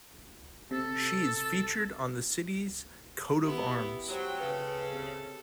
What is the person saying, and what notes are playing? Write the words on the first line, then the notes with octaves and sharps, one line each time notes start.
She is featured on the city's coat of arms.
C3 A4
B3 E4 G4
F#3 C5 G5
C#3 A4 B4
C3